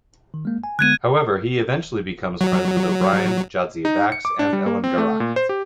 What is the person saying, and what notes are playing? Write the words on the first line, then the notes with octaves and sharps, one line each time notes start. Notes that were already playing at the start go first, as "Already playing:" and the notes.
However, he eventually becomes friends with O'Brien, Jadzia Dax, and Elim Garak.
D#3
G#3 A#3
G#5
D3 G#3 B3 F#6 G#6 D#7
F#3
D#4
C#7
D6
D4
G3
A#3
C4
A3
A#2
C5
G4